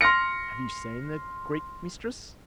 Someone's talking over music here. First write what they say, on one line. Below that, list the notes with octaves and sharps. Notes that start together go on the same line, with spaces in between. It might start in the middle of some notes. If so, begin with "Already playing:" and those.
"Have you seen the Greek mistress?"
C6 F6 A#6 C#7